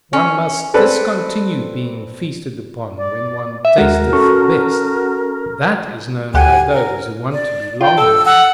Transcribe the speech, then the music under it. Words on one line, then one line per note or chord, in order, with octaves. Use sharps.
One must discontinue being feasted upon when one tasteth best: that is known by those who want to be long loved.
C#4
C4 A4 B4 D5
D5
E5
D#2 G#3 F#4 A#4
C#4 A4 C#6
D2 G4 F#5 G#5
A#4
D5
F4 G5
A4 E6
F#5 E6